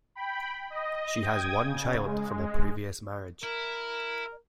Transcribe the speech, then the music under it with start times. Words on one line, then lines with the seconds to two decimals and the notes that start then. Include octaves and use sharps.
She has one child from a previous marriage.
0.15 G5 B5
0.70 D#5
1.22 G5 D#6 G#6
1.65 C#3
2.06 G#3
3.43 E4 A#4